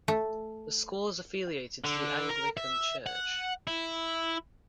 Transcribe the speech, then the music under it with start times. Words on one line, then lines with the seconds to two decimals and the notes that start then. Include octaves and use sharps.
The school is affiliated to the Anglican church.
0.08 A3
1.84 D3
2.30 A#4
2.57 E5
3.06 F#5
3.67 E4